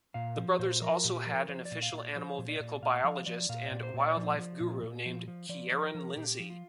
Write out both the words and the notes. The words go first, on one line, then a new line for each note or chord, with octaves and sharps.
The brothers also had an official Animal-Vehicle Biologist and Wildlife Guru named Kieran Lindsey.
A#2 F5
F3
A#2 C5
F3 A#4
A#2 G4
F3 A#4
F3 C5
D5
A#2
F5
A#2
D5
F3 C5
A#2
D5
A#2
A#2 F5
F3 F5
F3 D5
A#2 F5
D5
A#2
C5
A#2
D5
F3
F3
A#2
A#2
F3
F3
F3 D5
F3
A#4
F3
A#2 G4
F3
F4